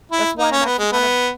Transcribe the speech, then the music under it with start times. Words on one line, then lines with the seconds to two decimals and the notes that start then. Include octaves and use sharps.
That's why I'm actually kind of
0.12 E4
0.38 D#4
0.52 C#4
0.65 B3
0.79 G#3
0.92 B3